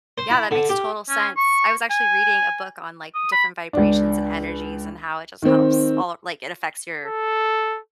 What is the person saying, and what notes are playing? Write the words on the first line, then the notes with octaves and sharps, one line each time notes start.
Yeah, that makes total sense, I was actually reading a book on, like, different vibrations and energies and how it just helps all like, it affects your
C5
E4
D3
G4
C#4
C#6
G#5
D#6
B5
C#2 D4
D#3 C4
A4